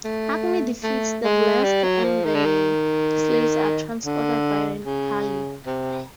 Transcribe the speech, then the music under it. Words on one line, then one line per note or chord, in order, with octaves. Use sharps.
Agni defeats the blessed and the slaves are transported by an ally.
A3
A3
G#3
G3
F#3
F3
D#3
D3
D#3
D3
C#3
C3